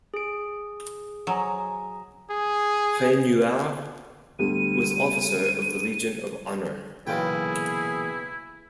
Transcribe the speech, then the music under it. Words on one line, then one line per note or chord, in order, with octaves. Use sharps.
Raynouard was Officer of the Legion of Honour.
G#4 D7
F#3 D#5 G#5 A#5
G#4
D2 G3 B3 D#7
B1 A#2 C#3 E3 E4 G#4 G5